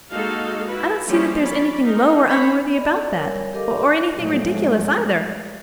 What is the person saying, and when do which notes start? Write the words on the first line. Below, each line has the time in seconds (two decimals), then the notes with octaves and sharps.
I don't see that there's anything low or unworthy about that, or anything ridiculous either.
0.12 G#3 A#3 D#4 F#4 A4 F5
0.67 E4 F#4 B4
1.08 F3 G3 A#3 C#4 E4 G4
1.42 C#4 D5 B5
1.84 D#4 G#4 A#4
2.27 C5 C#5 B5
2.75 D5 D#5 B5
3.13 G3 A#4 C#5 G#5
3.53 G4 A4 A#4 D#5 F5 D6
4.16 A2 F3 F#3 G#3 A3